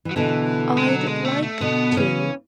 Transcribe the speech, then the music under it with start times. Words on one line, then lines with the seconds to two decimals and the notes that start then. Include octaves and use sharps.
I'd like to.
0.05 E3
0.11 F#3
0.16 B2 D3 E3
0.77 G#3
0.89 F#3
1.07 G#3
1.25 A3
1.43 A3
1.60 B2 D3 B3
1.92 D3
1.97 C#3 E3 C#4